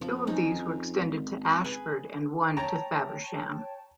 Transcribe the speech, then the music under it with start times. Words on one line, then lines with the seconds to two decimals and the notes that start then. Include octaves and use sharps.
Two of these were extended to Ashford and one to Faversham.
0.01 F2 F3
0.27 C#4 D#4
1.01 G#1
1.64 G#4 B4
2.57 C#5 G5 A5 A#5